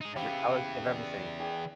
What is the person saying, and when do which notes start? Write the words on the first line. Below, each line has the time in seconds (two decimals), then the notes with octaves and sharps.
every I would give everything.
0.01 D#4 G#4
0.16 C#3 E3 B3 G4 F5
0.84 D5
1.40 G#4 G5